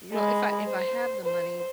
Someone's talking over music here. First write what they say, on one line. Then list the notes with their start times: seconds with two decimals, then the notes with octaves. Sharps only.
you know, if I if I have the money,
0.13 G#3 B5
0.65 C5
1.25 C5